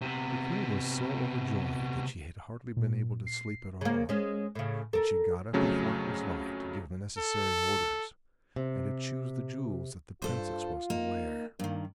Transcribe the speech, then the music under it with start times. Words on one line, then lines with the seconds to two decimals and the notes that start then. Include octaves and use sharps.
The Queen was so overjoyed that she had hardly been able to sleep at all, and she got up before it was light to give the necessary orders and to choose the jewels that the Princess was to wear.
0.01 C3 B3
2.77 A#2
3.27 C7
3.81 C#3 A#3
4.09 G#3 C#4
4.55 A2 C#3
4.93 A4 A#4
5.53 F2 C#3 F#3 A3 C#4
7.18 A4
8.56 C3
10.22 G2 F4 A4 C5
10.90 A#3 D#4
11.60 G2 D#3 A#3